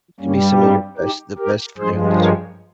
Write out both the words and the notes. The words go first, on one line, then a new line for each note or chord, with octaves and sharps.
To be some of your best the best friends.
G2 G3 A#3 C#4
C4 D#4
D#4 G4
G4 A#4
G2 F3 G#3 G#4 C5
A#4 C#5